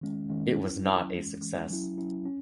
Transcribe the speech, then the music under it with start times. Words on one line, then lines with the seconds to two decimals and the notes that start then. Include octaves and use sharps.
It was not a success.
0.01 D#3 G#3 C#4
0.30 D#3 G#3 C#4
0.58 F#3 C#4 E4
0.85 F#3 C#4 E4
1.14 E3 G#3 C#4
1.42 E3 G#3 C#4
1.71 F#3 C#4 E4
1.98 F#3 C#4 E4
2.25 C#4